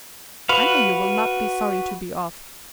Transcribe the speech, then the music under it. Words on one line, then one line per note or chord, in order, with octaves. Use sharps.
I know you will not be sorry to be off.
F#4 B4 F5